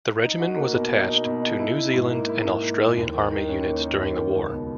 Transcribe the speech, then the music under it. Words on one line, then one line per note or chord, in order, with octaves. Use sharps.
The regiment was attached to New Zealand and Australian army units during the war.
D#4
F#4
A#3
B2
D#4
D#4
B2
D#4
E4
E4
G#2
A#3
E4
G#2
A#3
A#3
D#2
D#3
D#3
C#4
A#3
D#3
D#2
D#2
C#2
B2